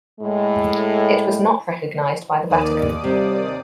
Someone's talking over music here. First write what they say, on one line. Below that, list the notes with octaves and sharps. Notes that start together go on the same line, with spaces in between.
It was not recognized by the Vatican.
A2 G#3
D#2 D#3 D5 D#6
C3 G3